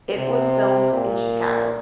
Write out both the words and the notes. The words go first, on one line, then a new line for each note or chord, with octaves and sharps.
It was filmed in Chicago.
C3
A#2